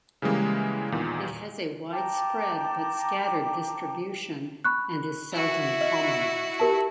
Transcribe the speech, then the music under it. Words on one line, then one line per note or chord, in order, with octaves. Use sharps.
It has a widespread but scattered distribution and is seldom common.
C#3 E3 G3 G#3 A#3
E2 A#2 D#3
G5 A5 A#5 D6
B5 C#6 F#6
E4 F#4
D#5
G4 A#4 A5